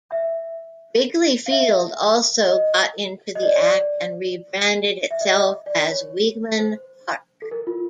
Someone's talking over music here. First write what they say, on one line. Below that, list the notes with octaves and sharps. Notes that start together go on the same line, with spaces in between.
Wrigley Field also got into the act and rebranded itself as Weeghman Park.
E5
F5
E5
D#5
D#5
D5
C#5
D5
E5
D#5
D5
C#5
C5
A4
A#4
F4